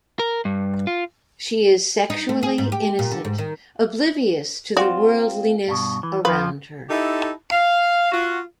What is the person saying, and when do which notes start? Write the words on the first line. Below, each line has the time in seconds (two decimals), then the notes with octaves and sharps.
She is sexually innocent, oblivious to the worldliness around her.
0.19 A#4
0.45 G2
0.87 F4
2.10 D#4
2.29 A3
2.43 G#4
2.58 G#2
2.72 G4
2.99 A#2
3.11 D3
3.25 G#2
3.38 D#3
4.77 C4 F4 F#4 D5
5.68 G2 B2
6.03 E3
6.25 F2 F3 F4 B4
6.90 D#4 E4 G4 A4
7.52 F5
8.12 F4 F#4